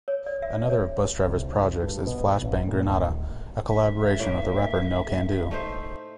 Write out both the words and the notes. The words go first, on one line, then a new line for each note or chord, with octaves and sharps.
Another of Busdriver's projects is Flash Bang Grenada, a collaboration with the rapper Nocando.
C#5
D5
E5
C#5
C2
G2
B2
A1
A#2
D1
E5
A2 A#3
A3 D#4 C5